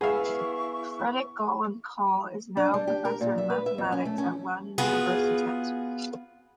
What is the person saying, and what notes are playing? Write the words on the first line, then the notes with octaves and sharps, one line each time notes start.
Fredrik "Gollum" Kahl is now professor in mathematics at Lunds universitet.
B3 E4 G#4 E5 F5 C#6
D4
G3
G4
A#4
A#2
E5
B4
E5
F2
C#4
A3
C#4
B3 F4 F#4 G#4